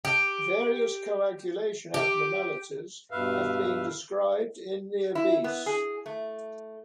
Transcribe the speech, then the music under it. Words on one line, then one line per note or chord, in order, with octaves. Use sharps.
Various coagulation abnormalities have been described in the obese.
G4
G4
G2 B2 B4 E5 F5
E4
B3
G#4
A3